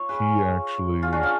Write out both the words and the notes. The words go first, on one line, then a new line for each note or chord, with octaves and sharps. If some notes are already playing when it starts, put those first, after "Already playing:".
he actually
Already playing: F4 C#5
G#4 B4
F4 G#4
D4 F#4
C#4 F4